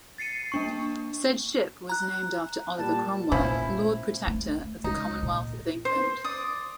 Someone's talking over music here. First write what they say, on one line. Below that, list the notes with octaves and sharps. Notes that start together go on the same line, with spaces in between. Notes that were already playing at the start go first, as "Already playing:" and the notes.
Said ship was named after Oliver Cromwell, Lord Protector of the Commonwealth of England.
A6 C7 C#7 D#7
A#3 D4 C#6
A#5 F#6
A#2 G3 A5
A#2 F3 C#4 E4
A3
C#2 D#4
A#2
C5
D5 D#6